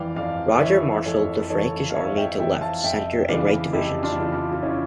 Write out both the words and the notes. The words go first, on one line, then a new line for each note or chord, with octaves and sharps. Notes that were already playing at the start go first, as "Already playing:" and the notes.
Roger marshalled the Frankish army into left, center and right divisions.
Already playing: F2 E3 D5 F5 G5
F2 D5 F5
E3 C#5 E5
F2 A4 C#5
E3 A4 C#5
F5
F2 C#5 E5
E5 G5
E3 E5 G5
F5 A5
F2 E5 G5
C#3 E3 D5 F5
F2 E4 G4
D4 F4
C#3 E3
D4 F4
F4
C#4 E4